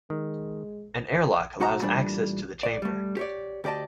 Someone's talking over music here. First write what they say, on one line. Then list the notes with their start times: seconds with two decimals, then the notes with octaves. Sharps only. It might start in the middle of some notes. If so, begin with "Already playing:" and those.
An airlock allows access to the chamber.
0.10 D#3 G#3
1.60 B1 D#4 F#4 F#5 A#5
1.81 A#2 E3 G3 A3 D4
2.63 D5
2.82 G3 A3
3.17 G4 C#5 D5
3.64 D2 G4 D5 D#5 A5